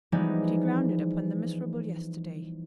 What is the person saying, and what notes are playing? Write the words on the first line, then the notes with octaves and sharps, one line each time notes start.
Did he ground it upon the miserable yesterday?
E3 F3 G3 G#3 B3 D#4